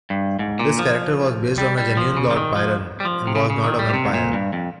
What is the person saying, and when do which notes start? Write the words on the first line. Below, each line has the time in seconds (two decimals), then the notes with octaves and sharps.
This character was based on the genuine Lord Byron and was not a vampire.
0.10 G2
0.39 G#2
0.59 A#2
0.79 F3
1.58 G3
1.77 G3
1.97 F3
2.17 C#3
2.31 F3
2.37 D#3
2.56 F3
3.00 G3
3.05 F3
3.27 C3
3.35 C#3
3.50 C#3
3.64 D#3
3.79 G3
3.89 A#2
3.94 C3
4.05 G#2
4.14 A#2
4.33 G2
4.53 F2